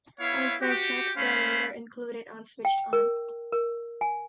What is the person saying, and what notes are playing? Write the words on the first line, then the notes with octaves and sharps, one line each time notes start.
All four tracks were later included on "Switched On".
B3 E4 C#5 F5
F#4 G4
A3 C#4 C5 F5 B5
G5
A#4
A#4
G#5